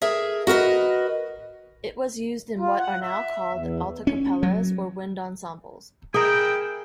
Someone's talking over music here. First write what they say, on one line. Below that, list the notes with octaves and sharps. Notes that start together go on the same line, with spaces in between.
It was used in what are now called alta capellas or wind ensembles.
G#4 A#4 E5
F#4 A#4 B4 D#5
F4
F#5
E5
E2
C#4
F#3
E4 G#4 A#4 G5